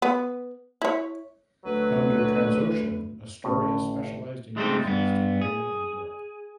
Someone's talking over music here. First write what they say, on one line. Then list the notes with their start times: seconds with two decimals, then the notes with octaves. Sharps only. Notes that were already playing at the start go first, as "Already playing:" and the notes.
Under Transocean "Astoria" specialized in cruises to Norway and Europe.
0.02 B3
0.82 E4 C#5
1.66 D2 F#3 B4
3.44 G#1 A2 C#4
4.57 G#3 A3 C4 D#4 C5
4.85 G2 B3
5.41 G#4